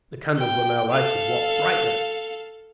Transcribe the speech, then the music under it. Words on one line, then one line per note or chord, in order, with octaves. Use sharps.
The candles were now lighted--what brightness!
G5
A4 F5